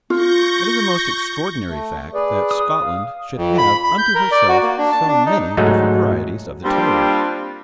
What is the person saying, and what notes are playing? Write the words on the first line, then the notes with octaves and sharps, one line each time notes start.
It is a most extraordinary fact that Scotland should have unto herself so many different varieties of the terrier.
F4 C#6 G6 A#6
A3
G#4 B4 D5
D#6
F5
F2
B5
B5
G6
A#4
D5
F#4
A#3
D4
A5
D4
D#4
G#2 F#3 A3 D#4
G3 A#3 C4 D4 F4 G4